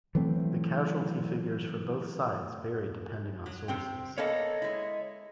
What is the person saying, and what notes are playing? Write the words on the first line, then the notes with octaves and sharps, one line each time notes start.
The casualty figures for both sides vary depending on sources.
E3 F#3 A3 C4
F#3
C3 C4 G5
A#3 B3 A4 C#5 D#5
G#3 E4